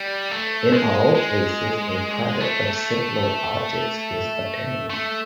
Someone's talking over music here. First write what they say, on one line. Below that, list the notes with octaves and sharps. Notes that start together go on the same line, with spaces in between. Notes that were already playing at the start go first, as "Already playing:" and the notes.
In all cases, a product of simpler objects is obtained.
Already playing: G3
A3
G#3
G#3
A3
A3